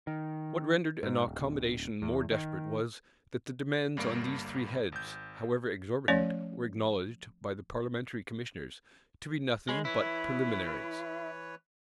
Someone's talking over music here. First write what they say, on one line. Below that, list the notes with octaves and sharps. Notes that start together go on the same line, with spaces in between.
What rendered an accommodation more desperate was, that the demands on these three heads, however exorbitant, were acknowledged, by the parliamentary commissioners, to be nothing but preliminaries.
D#3
G#2
D1
E2
D#3
G1 G2 G3 A#3 D7
G#1 G6
F3 A3 C#4 C#5 D5
G#3 C#5 F5 B5
E3 E4 B4 C#5